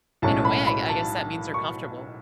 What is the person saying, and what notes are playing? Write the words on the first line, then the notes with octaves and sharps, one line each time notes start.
in a way, I g I guess that means they're comfortable.
B1 A2 G#3 C#4 A5
B5
B5
A5
C#6